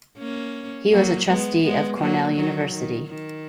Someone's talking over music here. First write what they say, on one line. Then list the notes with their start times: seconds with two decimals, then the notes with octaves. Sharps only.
He was a trustee of Cornell University.
0.19 A#3 C#4
0.91 F#3 A#3
1.27 G#3 B3
1.64 G#3 B3
2.00 F#3 A#3
2.36 D#3 F#3
2.72 D#3
3.08 D#3